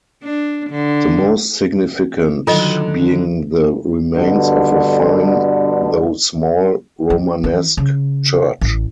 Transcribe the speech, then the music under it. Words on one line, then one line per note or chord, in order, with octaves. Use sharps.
The most significant being the remains of a fine, though small Romanesque church.
D4
D3
D3 D#3 F#3 F4 A4 D#5
G2 B2 D3
F3
E3
C#3
A1